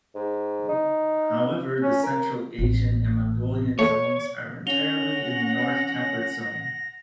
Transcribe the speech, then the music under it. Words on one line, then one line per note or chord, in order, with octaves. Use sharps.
However, the Central Asian and Mongolian zones are entirely in the North Temperate Zone.
G#2
D#4
C#4
A#4
A1
A3 C#5
C#4 F#5 A#6 F7 G7